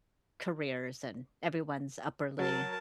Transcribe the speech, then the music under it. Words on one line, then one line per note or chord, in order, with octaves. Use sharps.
careers and everyone's upwardly
F#3 A#4 A5